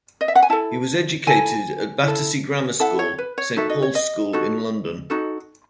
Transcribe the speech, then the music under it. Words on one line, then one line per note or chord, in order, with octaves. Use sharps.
He was educated at Battersea Grammar School, Saint Paul's School in London.
D#5
E5
F#5
G#5
E4 A4 A5
E4 A4 G#5
E4 A4
E4 A4 F#5
C#5
B4
C#5
D#4 F#4 A4 E5
D#5
C#5
D#5
D#4 F#4 A4
D#4 F#4 A4